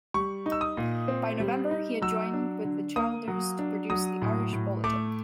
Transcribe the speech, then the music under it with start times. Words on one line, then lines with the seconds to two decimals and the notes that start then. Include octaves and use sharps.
By November he had joined with Childers to produce the Irish Bulletin.
0.14 G3 C#6
0.46 D#4
0.52 E6
0.61 D#6
0.77 A#2
1.08 C4
1.40 G3
1.71 D#4
2.02 F#3 E6
2.33 D4
2.64 D3
2.96 A#3 D#6
3.28 F#3
3.59 D4
3.90 F#3 D#6
4.22 A2
4.53 A2
4.84 A3 D6